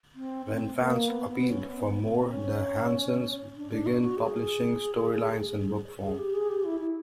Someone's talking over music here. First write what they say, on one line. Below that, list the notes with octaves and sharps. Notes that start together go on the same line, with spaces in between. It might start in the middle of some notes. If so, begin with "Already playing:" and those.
When fans appealed for more, the Hansens began publishing storylines in book form.
C4
C4
A#3
B3
B3
C#4
B3
C4
C#4
D4
D4
F#4
F#4
G#4
G#4
G4
G#4
G4
E4
E4